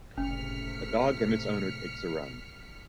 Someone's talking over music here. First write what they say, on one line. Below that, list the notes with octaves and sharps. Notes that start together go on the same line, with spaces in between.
A dog and its owner takes a run.
F#1 A2 C3 A3 C#4 F6 B6 C#7